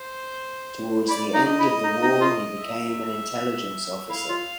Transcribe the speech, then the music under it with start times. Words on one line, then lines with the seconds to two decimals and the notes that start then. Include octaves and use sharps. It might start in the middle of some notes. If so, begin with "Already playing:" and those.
Towards the end of the war he became an intelligence officer.
Already playing: C5
1.08 E4 D5
1.34 D#4
1.46 D#5
1.59 E4
1.84 D#4
2.02 D#4
2.21 F4
2.59 E5
4.10 E4 F5
4.29 F4